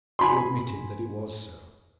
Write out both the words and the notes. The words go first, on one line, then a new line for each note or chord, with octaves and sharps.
He admitted that it was so.
G#5 B5 C6